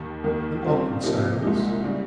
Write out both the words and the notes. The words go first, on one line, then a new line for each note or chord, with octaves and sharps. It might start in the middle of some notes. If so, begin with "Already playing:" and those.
An awkward silence.
Already playing: D#2 D#3
D#2 D#3 A#3
C#3 G3 C4 F4
C3 F3 A#3 D#4 G4
C2 A#2 G#3 D#4
C#3 G3